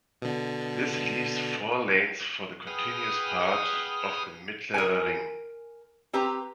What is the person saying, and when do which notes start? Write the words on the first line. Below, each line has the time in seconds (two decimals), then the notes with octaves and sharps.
This leaves four lanes for the continuous part of the "Mittlerer Ring".
0.22 B2 D3
2.67 G#4 B4 F#5 G5 D#6 F6
4.74 A#4 G#5
6.13 C4 G4 B4 A#5